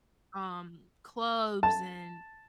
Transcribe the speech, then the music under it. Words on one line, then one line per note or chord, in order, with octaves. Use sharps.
Um, clubs and,
A5